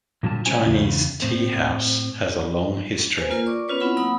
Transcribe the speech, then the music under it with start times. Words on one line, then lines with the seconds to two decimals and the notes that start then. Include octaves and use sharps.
Chinese tea house has a long history.
0.23 A#2 D3 F#3 G3 F4 A5
0.46 D3 G#3 C#4 F4 C5 G#5
0.65 E2 C#3
1.22 A2 C4
3.19 B4 C5 G#5
3.30 A#3 F4 A#4
3.46 D5 C#6 D6
3.68 B3 C#4 F4 B4 C#5
3.80 C4 E4 F#5 B5
3.97 F#3 A#3 F#5 B5 D#6 E6